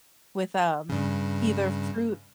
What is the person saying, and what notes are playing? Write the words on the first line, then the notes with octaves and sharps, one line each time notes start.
with, um, either fruit
G2 C#3